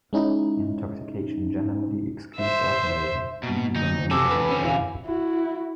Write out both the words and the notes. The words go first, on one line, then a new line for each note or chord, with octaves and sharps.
Intoxication generally excludes automatism, even when involuntary.
G#3 C#4 D#4 E4
C5 E5
B2 A#3
D2 D#4
C3 E3 F#4 A4 D6 E6
G#2 C#3 A4 B4
D3 C4 C#4
E4 F5 G#5
E4 F#4